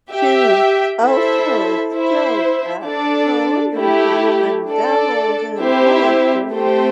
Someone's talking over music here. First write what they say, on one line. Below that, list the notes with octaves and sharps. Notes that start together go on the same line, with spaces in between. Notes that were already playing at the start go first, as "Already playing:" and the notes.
She was also skilled at calligraphy and dabbled in poetry.
G4 E5 G5
E4 A4 C5 E5
E4 C5 E5
D4 A4 D5
A3 E4 G4
D4 A4 D5
C4 E4 G4 C5 E5
A3 C4 G4 C5 G5